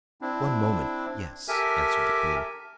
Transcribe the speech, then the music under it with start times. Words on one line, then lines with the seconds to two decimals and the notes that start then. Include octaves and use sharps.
"One moment, yes," answered the queen.
0.21 C4 D4 E4
1.48 G4 A4 A#4 E5 G#5